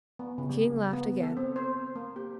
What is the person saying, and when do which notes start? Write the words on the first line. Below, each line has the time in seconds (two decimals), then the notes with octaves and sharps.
The king laughed again.
0.19 B3
0.38 C#3
0.50 G3
0.70 A#3
0.93 B3
1.23 A4
1.37 C4
1.56 C5
1.96 A#3
2.16 G4